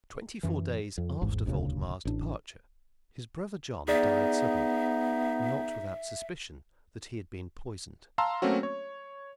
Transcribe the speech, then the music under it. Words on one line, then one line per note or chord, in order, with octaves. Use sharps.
Twenty-four days after Voldemar's departure his brother John died suddenly, not without suspicion that he had been poisoned.
F#2 E3
F2
D#1 G#1 E2 G#2
E1 D2 A#2 C#3
A1 D4
B3 D#4 G#4 D5 E5
F5 A5 A#5 C6 E6
F#3 A3 A#3 C4 C#4 F#4
C#5